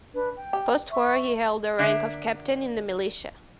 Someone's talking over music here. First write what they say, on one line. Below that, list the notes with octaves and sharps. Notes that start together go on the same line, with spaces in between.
Post-war he held the rank of captain in the Militia.
D4 B4
G5
G4
E5 C#6
D3 A#3 D4 E5